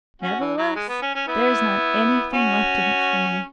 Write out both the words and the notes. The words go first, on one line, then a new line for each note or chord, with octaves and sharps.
'Nevertheless there is not anything left in it for me.'
C#4 F#4
E3
F#3
G#3
B3
C#4
C#4
B3 E4
C#4 F#4